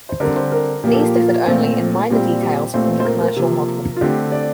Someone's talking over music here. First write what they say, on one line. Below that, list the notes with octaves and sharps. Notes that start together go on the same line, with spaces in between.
These differed only in minor details from the commercial model.
C5
D3 G3 C4 A#4
C5
A#4
A#2 F3 A#3 G4
A4
G4
F4
A#2 A3 C4
A#2 G3 C4 G4
G4
A#2 A3 C4 C5
C5
A#4
A#4
C3 F3 A#3
F4
D3 A3 C4 G4
D5